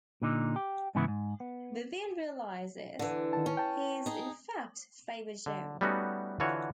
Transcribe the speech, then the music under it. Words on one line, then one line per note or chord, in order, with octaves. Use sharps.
Vivian realizes he is in fact Faber John.
A#2 D3 D#4
G4
G#2 C#3 E3 B3 E4
G#2
B3
D3 E3
D#3 A5
C#4
G5 A5
D#4 G#4
D3
G3 A3 B3 C#4 D#4 F#4
D3 E3 F4 F#4 C#5